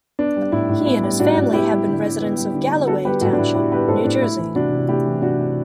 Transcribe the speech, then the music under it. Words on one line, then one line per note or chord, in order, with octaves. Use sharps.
He and his family have been residents of Galloway Township, New Jersey.
B3 D4
G3
A2 E4
A2
B3 E4
G3
A2 D4 F#4
A2
B3 E4 G4
G3
D3
D3
B3
G3
D3
D3
B3 F#4 A4
G3 G4 B4
A2 F#4 A4
D4
A2 E4
B3 E4 G4
G3 G4 B4
A2 A4 C5
A2 D4
A3 E4
E3
C3 D4 F#4
C3
A3 E4 G4
E3
C3 D4 F#4
C3